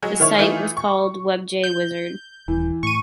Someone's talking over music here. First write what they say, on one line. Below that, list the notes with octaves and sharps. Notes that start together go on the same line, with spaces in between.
This site was called "Webjay Wizard".
F#3 G#3
D#3 E4 C#5
E3 A3 D#4 F4
C#6
G6
D#1 E3
A2 C#6 D#7